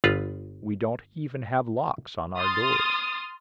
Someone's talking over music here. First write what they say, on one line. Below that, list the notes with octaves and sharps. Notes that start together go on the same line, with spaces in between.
We don't even have locks on our doors.
G1 F4 B4
C6 D#6 F6 A6